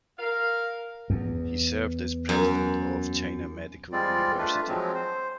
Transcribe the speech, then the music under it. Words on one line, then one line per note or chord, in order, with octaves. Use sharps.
He served as President of China Medical University.
A#4 F5
E2
F#2
G3 G#3 C4 F4 D5
A3 D4 F4 B4
F3 F#3 G#3 C4
C5